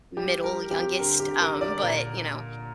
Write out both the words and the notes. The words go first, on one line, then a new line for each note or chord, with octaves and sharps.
middle youngest, um, but, you know,
G3 G4
G3 A#4
C4 G4
D3 A#4
G4
D3
A#4
D3
D5
A#2 A#4